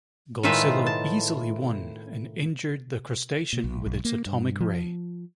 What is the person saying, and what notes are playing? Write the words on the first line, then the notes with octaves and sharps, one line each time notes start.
Godzilla easily won and injured the crustacean with its atomic ray.
A2 D#3 G#3 F4 B4 E5
A5
A#2
B1
B1
A#3
G2
F3